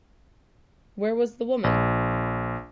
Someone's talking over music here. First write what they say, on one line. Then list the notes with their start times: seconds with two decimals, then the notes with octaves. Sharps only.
Where was the woman?
1.64 A#1